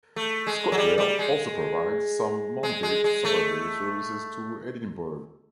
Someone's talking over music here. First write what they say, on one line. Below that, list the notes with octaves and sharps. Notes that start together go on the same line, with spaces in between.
ScotRail also provides some Monday to Saturday services to Edinburgh.
A3
G#3
F#3
G3
G3
G#3
G#3
G#3
G#3
A3